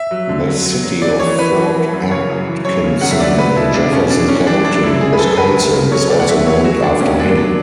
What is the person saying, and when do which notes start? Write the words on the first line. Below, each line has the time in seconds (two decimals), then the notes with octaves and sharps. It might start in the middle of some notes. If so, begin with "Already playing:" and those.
The City of Fort Atkinson in Jefferson County, Wisconsin is also named after him.
Already playing: E5
0.11 F#3
0.29 D3
0.48 F#3
0.66 F#3
0.84 F#3
1.02 E3 D5
1.20 E3 C#5
1.38 E3 B4
1.56 E3
1.75 E3
1.92 F#2
2.11 C#3 C#5
2.29 F#2
2.47 E3
2.65 F#2 C#5
2.84 C#3
3.01 F#2 F#5
3.11 E5
3.19 F#3 D5
3.38 C#2 B4
3.56 B2 E4
3.74 C#2 D4
3.92 B2 C#4
4.10 F#3 D4
4.28 E3 C#4
4.46 E3 D4
4.64 F#2 D4
4.83 F#2 E4
5.01 F#2 G#4
5.13 B4
5.19 F#2 A4
5.37 F#3 B4
5.56 D2
5.73 C#3
5.92 F#3 C#5
6.10 D2 D5
6.20 F#5
6.28 F#3 E5
6.47 F#3 C#5
6.64 G#2 F#4
6.83 F#3 D4
7.00 G#2 C#4
7.19 F#3 D4
7.37 F#3 D4